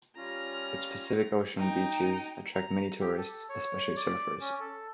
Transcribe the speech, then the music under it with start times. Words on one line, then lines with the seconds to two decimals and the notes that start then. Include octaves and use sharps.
Its Pacific Ocean beaches attract many tourists, especially surfers.
0.17 G3 C#4 F4 A#5
1.58 D#4 G5
2.55 A#5
3.01 G4
3.18 A4
3.49 C#5
3.96 D5
4.41 C#4
4.60 A4